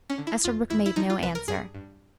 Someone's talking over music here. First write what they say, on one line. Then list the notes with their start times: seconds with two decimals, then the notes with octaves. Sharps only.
Esterbrook made no answer.
0.10 C#4
0.18 D3
0.27 E4
0.44 E2 F4
0.70 E2 E4
0.86 E4
0.96 F3 D#4
1.10 F4
1.22 C2 B4
1.35 A#4
1.48 G2 G#4
1.74 G2